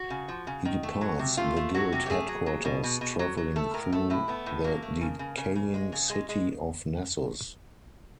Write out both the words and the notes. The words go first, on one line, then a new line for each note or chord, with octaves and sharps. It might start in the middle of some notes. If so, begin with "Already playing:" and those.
He departs the guild headquarters, traveling through the decaying city of Nessus.
Already playing: F#4
C#3
F3
C#3
D#3
A3
F#3
C3
A3 F4
A3
F#3 F#4
C3
G4
A3 G#4
F#3
F#3
B2
B2
B2
F#3
F#3
A3 A4
A2 A#4
A3 A4
A2 E4
A3 B3
A2
F#3 A#3
A3
C#3
C#3
C#3
C#3
G#3
C#3
G#3
G#3